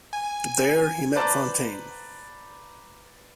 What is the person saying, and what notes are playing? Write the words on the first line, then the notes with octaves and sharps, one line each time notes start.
There he met Fontaine.
G#5
B4 C5 D5 A5 A#5